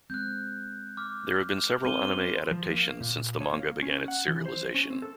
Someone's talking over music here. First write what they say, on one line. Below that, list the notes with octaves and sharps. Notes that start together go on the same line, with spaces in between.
There have been several anime adaptions since the manga began its serialization.
G#3 C4 F#6 G6
D6 F6
C4 A#4 B4 C6 D#7 G7
F3
A#3
A#2
C#5
A#3
C#4
F#5
E3
C5
C#4
C4
A4